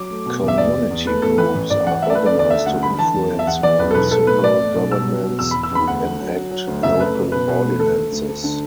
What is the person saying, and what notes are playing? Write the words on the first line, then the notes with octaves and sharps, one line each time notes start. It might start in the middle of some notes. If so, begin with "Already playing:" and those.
Community groups are organized to influence municipal governments to enact local ordinances.
Already playing: F#3 D6
A3
B2
E2
E5
E2 D5
E2
E2
A3 B4
A2 A4
E3 B4
A1
A1 D5
E3 F#5
A3 E5
D5
A3 B4
D5
D2
D5
A3 E5
D2 F#5
D3 B5
E3 A5
E2
E3
E5
E2 F#5
E3 D5
E2 B4
A4
B1 B4
B1 A4
A2 B4
A2 D5
A3
B1
B2 E6
F#3
B2
E2 E6
E2 B5
E6
E2 B5
D2 F#5
D3
F#3
F#3
F#3
D2
F#1 E5
A3 B4
F#1
B2 B4
B2
A3
D2 A4
A3
D2
D2
D3